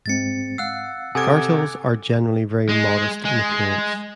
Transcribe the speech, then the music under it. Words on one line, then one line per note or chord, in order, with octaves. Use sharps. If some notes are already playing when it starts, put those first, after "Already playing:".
Gartels are generally very modest in appearance.
G#2 G#3 C4 A6 C#7
F5 F#5 E6 F#6 C7
C3 A4 F#5 G#5 D6 D#6 G#6
G#3
G#3